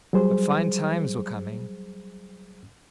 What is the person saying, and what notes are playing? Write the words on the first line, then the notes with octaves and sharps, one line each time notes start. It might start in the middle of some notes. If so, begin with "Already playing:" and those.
But fine times were coming.
F#3 G3 G#4 C5